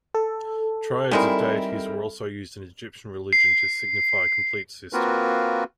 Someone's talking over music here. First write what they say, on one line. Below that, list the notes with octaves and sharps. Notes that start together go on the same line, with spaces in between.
Triads of deities were also used in Egyptian religion to signify a complete system.
A4
D#3 G3 G#3 C4 E4 A#4
C7
A#3 C4 F4 F#4 A#4 B4